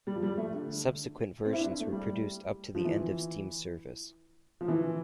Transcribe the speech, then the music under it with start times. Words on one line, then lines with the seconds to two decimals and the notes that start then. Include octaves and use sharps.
Subsequent versions were produced up to the end of steam service.
0.07 G3
0.16 F3
0.23 G3
0.38 A3
0.53 D3
1.45 C4
1.53 E4
1.58 D4
1.80 A3
1.92 G3
2.75 F3
2.85 E3
4.61 F3
4.68 E3